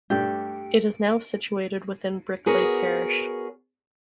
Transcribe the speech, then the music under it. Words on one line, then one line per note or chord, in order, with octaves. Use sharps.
It is now situated within Bickleigh parish.
G2 A3 D4 G4
B3 F#4 G#4 A#4 C#5